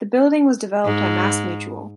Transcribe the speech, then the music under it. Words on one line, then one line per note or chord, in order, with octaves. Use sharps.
The building was developed by Mass Mutual.
G#2